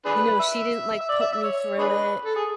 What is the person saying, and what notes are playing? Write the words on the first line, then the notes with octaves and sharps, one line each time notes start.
You know, she didn't, like, put me through it,
D4 G#4 B4
E5
E5
D5
E5
E5
C#5
D4 G#4 B4
A4
G#4